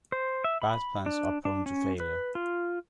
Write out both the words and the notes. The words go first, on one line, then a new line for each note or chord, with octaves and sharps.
Bad plans are prone to failure.
C5
E5
B5
D4
D4
C#4
B4
F4